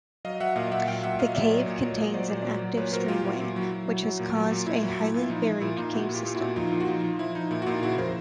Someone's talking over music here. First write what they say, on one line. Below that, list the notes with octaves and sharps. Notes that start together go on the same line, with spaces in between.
The cave contains an active streamway, which has caused a highly varied cave system.
F#3 D#5 F5
F#3 E5 F#5
A#2 D#5 F5
A#2 E5 F#5
F#3 F5 G5
A#2 E5 F#5
F#3 D#5 F5
A#2 D5 E5
F#3 C#5 D#5
A#2
F#3
A#2 D#5
F#3 C5 D5
A#2
F#3
F#3
A#2 B4 C#5
F#3 A#4 C5
A#2 F4 G4
F#3 E4
A#2
F#3
F#3
F#3
F#3
A#2
F#3
A#2
A#2 E4
F#3
A#2
A#2 F4
E4
F3 D#4
F3 E4
A#2 E4
A#2 D#4 F4
A#2 E4 F#4
A#2
F4 G4
A#2
E4 F#4
A#2
F3 D#4 F4
A#2
F#4
F3 D#4 F4
F3
F3 E4
F3 D#4
A#2 E4
F#4
A#2 D#4 F4
C#3 E4 F#4
F3 A#4 C5